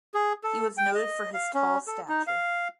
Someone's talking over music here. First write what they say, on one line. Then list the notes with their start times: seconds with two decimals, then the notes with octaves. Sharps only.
He was noted for his tall stature.
0.14 G#4
0.44 A4
0.78 G5
0.95 D#5
1.34 F5
1.54 C#4
1.87 A4
2.08 D#4
2.27 F5